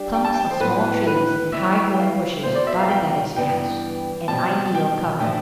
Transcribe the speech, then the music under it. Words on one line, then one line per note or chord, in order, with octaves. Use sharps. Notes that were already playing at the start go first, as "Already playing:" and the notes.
Clumps of small trees and high growing bushes dotted that expanse, an ideal cover.
Already playing: G3 D4 G4 D5
G5
A5
G5
C5
A2 E3 B3 B4
B4
E3 G3 C4 E4 E5
G5
F5
E2 B2 B3 D4 C5
D5
E5
F5
G5
G2 E3 B3 D4 G5
B2 G3 C4 A5
G5
A2 F3 A3 D4 A4 G5